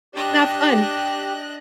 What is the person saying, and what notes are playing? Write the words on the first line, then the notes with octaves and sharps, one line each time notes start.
Not fun.
D4 G4 D#5 F#6 A#6